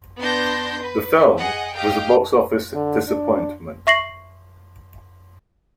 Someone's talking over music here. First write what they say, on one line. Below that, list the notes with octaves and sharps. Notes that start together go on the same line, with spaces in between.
The film was a box office disappointment.
B3 D4 C6 G6 A#6
B4
G#4 D#5 F#5
G4 D#5 F5 G5
D3
D4
E5 C#6 A#6 C7 F#7